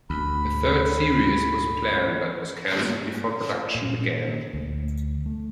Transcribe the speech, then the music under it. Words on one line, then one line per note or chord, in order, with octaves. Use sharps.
A third series was planned, but was cancelled before production began.
D2 B5
A#2
D2
A3